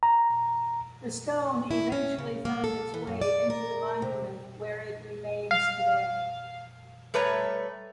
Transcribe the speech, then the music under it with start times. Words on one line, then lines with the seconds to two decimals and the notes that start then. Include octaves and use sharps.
The stone eventually found its way into the monument where it remains today.
0.03 A#5
1.71 E4
1.92 C#4
2.18 C#3
2.45 A#3
2.64 A4
2.94 E3
3.07 F#2
3.21 D5
3.50 A#4
4.02 C3
5.51 F5
7.14 G3 A3 B4 C#5 A#5